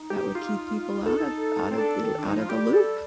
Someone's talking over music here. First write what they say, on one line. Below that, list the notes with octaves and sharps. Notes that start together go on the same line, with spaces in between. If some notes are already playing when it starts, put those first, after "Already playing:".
That would keep people out of out of the out of the loop.
Already playing: D#4
G4
F4
D#4 A4
C4
D4 A4
D#3
D4
F3 D#4
F4
G3 G4
A4